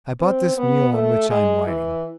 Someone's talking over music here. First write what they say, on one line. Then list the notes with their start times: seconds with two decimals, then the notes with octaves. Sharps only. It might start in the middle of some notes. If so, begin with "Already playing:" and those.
'I bought this mule on which I am riding.'
0.20 C4
0.57 B3
0.93 A3
1.30 G#3
1.67 E3